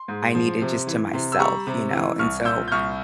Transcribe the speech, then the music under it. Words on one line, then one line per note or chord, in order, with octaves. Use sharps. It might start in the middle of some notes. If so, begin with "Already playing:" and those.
I needed just to myself, you know, and so
Already playing: C6
G#2
F3
C3
E3
C3
E6
G3 A#5 C#6
C3
E3
C2 C#6 F6
A#2 E6 G6
G6
C2 C#6 F6